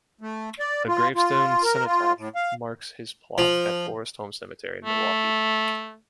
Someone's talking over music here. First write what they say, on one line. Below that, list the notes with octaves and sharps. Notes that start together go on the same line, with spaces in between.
A gravestone cenotaph marks his plot at Forest Home Cemetery in Milwaukee.
A3
D5
F4
F4
A#4
F4
A2
F5
F3
A3